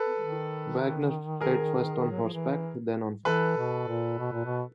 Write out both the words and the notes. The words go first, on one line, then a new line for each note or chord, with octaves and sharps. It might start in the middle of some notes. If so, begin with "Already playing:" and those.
Wagner fled first on horseback, then on foot.
Already playing: A4 B4
D#3
G#4 A#4
F#3
F3
E3
E3 A4 B4
B2
A#2
B2
A#2
B2